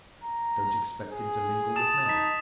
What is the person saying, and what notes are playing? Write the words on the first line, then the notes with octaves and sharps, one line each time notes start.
Don't expect him to mingle with many.
A#5
G#4
A5 D#6 E7
D#4 D#6 B6